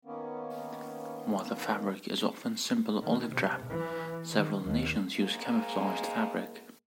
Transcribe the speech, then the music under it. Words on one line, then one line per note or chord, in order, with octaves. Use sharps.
While the fabric is often simple olive drab, several nations use camouflaged fabric.
D#3 A#3 B3 C#4
D#3
C3
E3
D#3
D#2
G#2 G#3 A#3